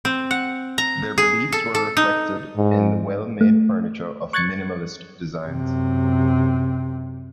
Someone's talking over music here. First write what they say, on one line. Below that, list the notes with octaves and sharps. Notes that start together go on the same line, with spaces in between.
Their beliefs were reflected in the well-made furniture of minimalist designs.
C4
F#5
A#5
G#4
A4
A4
D#4
G#2
A3
C#6 F#6 G#6 A6 C#7
F#2 C3